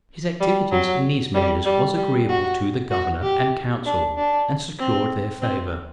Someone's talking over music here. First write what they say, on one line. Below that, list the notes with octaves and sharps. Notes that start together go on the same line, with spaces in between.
His activity in these measures was agreeable to the governor and council, and secured their favor.
G3
F#3
G3
G3
G3
F#4
F#4
G4
D4
D4
C4
C4